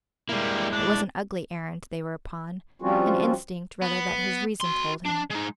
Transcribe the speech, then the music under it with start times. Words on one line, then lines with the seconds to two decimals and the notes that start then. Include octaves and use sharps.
It was an ugly errand they were upon, an instinct rather that his reason told him.
0.29 G3 G#3 A#3 E4
0.73 D4
2.82 F3 G3 C4 C#4 F4 F#4
3.82 B3
4.61 F#4 C6
5.06 D4
5.31 G#3 D#4